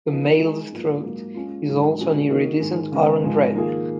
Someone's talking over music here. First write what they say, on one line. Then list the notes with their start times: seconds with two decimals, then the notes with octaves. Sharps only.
The male's throat is also an iridescent orange-red.
0.08 F3 B3 D#4
0.41 G#3 D#4 G#4
0.72 G#2 F#3 A#3 F4 B4
1.03 G#2 F#3 A#3
1.35 G#3 C#4 F4
1.66 G#2 D#3 F#3
1.98 A#2 G#3 C#4 F#4
2.28 D#3 A#3 D#4 F#4 A#4
2.60 G#2 D#3 G#3
2.92 C#3 G#3 B3
3.23 G#2 F3 G#3
3.55 D#3 A#3 F4 G#4